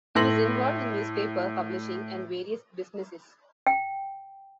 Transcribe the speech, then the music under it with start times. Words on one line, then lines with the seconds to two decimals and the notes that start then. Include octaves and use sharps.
He was involved in newspaper publishing and various businesses.
0.15 A2 A4 C6 A#6 F#7
3.67 G5